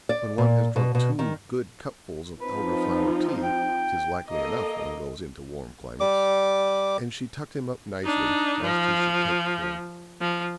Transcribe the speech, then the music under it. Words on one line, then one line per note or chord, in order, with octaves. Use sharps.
"When one has drunk two good cupfuls of Elder-flower tea, 'tis likely enough one goes into warm climates"; and she tucked him up nicely, least he should take cold.
D5
A#2
B2
B2
D#3
F3 C4 D#4 B4
G5
A#3 A4 D#5
G3 D6
D4 D#4
F3
F3